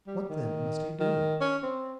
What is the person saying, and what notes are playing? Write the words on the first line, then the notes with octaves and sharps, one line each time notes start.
What then must he do?
G3
D#3
D#3
C#4
C4